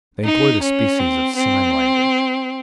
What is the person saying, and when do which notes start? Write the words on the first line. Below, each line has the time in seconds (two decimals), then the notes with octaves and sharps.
They employed a species of sign language.
0.25 D#4
0.62 C#4
0.99 C4
1.36 C4